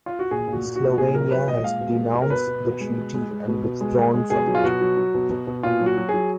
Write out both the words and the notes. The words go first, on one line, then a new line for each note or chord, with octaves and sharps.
Slovenia has denounced the treaty and withdrawn from it.
F4
F#4
A#2 G#4
A#2
F#4
A#2
F#4
A#2
F#4
A#2 G#4
F#3 A#4
F#3 B4
A#2 D#5
G#3 F5
B2
G#3
B2
A#4
B2 B4
B2
B2
G#3
B2
G#3
G#3
B2
B2
G#3
G#3
G#3
B2 G#4
F#3
F4
B2 F#4
F#3
F#3
B2
B2
B2
A#2 F4
F#3
F#4
F#3
G#4
F#3